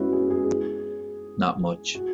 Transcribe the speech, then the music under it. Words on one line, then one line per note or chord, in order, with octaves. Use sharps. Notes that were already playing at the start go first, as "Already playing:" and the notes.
Not much.
Already playing: G#3 B3 C#4 E4 F#4
G#4
G#4
F#4